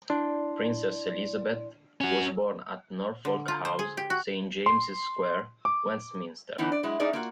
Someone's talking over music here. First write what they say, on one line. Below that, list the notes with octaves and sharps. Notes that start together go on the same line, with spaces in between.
Princess Elizabeth was born at Norfolk House, Saint James's Square, Westminster.
D4 E4 D5 C6
C#4 F#4 F#5 G#5
D3
F4
C5
G#4
G4
F#4
C6
D6
D3 E3 B3 C#4 D#4
D5
F#3 G#3 E4
A3 C#4 D#4 G#4 D5 D#5
A#3 F4 F#4